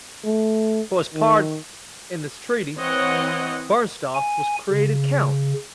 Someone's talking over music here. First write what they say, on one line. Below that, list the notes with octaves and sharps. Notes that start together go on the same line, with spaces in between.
For his part in this treaty Bernstorff was created count.
A3
D#3
E3 C4 C#5 D#5 F#5
G#5
C#3